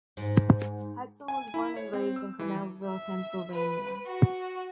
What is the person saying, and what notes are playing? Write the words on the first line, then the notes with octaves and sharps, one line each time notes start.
Hetzel was born and raised in Connellsville, Pennsylvania.
G#2
G#5
E4
C#5
C4
E6
E3
E5
B4
F#4